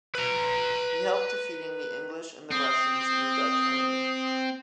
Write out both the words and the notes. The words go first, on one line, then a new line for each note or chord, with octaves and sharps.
He helped defeating the English and the Russians in the Dutch army.
B4 A#5
C4 D#6